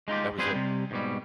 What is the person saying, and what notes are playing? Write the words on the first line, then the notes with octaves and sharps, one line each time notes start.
That was it.
G#3 D#4 F4 G4
G3 C4 F4 G#4 B4 C5
C3 G3
G#2 B2 G3